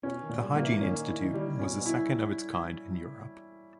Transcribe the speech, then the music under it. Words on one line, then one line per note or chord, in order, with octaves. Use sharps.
The Hygiene Institute was the second of its kind in Europe.
B2 C#4
D#3
A#2
G3
A#3
E3
D#3 C#4
E4
D#3
G3
B2 C#4
B2
E4